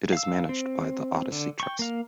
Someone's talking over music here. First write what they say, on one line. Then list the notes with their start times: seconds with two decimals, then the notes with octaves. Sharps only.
It is managed by The Odyssey Trust.
0.13 F5 E6
0.49 C4
1.32 D3
1.60 G5 C#6
1.79 A#3 F5